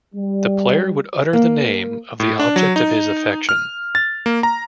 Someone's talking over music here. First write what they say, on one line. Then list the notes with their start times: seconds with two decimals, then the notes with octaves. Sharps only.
The player would utter the name of the object of his affection.
0.13 G3
1.33 A#3
2.20 A2
2.39 D4
2.56 F#3
2.76 D#4
3.49 F6
3.95 A6
4.26 A#3
4.43 A#5